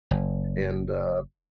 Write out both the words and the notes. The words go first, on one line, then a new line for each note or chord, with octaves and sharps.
and, uh
F#1